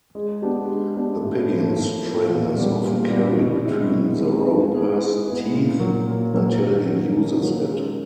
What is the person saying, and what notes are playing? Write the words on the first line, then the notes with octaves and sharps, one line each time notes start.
The piggin' string is often carried between the roper's teeth until he uses it.
G#3
B3 D4 G4
G#3
B3 D4 G4
A2
F3 A#3
A2
F3 A#3
A#2
G3 B3
A#2
G3 B3
B2
G#3 C4 E4
B2
G#3 C4 E4
G#3
B3 E4 G#4 B4
G#3
B3 E4 G#4 B4
A#2
F#3 A#3
A#2
F#3 A#3
D#3
F#3 A#3 C#4
D#3
F#3 A#3 C#4
G#3